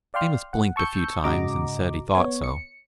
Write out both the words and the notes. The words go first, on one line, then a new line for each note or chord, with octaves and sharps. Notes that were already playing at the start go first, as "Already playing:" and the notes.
Amos blinked a few times and said he thought so.
D5 F5 G5 C6 F6
F#5
A5 C#6 E6 G6 C#7
G#2 C#3 F#4 D#5 A#5 D6
B3 C#5
C#7